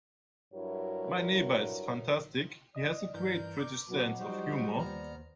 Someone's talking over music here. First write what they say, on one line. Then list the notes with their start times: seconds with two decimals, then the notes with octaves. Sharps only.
My neighbour is fantastic; he has a great British sense of humour.
0.54 G2 F#3 E4 F#4 A#4 C#5
2.75 D5 D#5 D#6
3.14 G2 E3 A#4 G6
3.60 D6
3.89 B2 F#3
4.19 F3 G3 D#4 F#4 C5
4.78 D#2 B3 C5 D5 A#5 F6